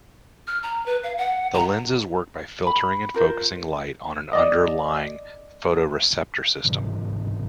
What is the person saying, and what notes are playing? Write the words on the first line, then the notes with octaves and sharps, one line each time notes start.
The lenses work by filtering and focusing light on an underlying photoreceptor system.
F6
A#5
B4
F5
F#5
A#5
B5
F4 A#4 C5
D5 D#5
G1 G#2 C3 E3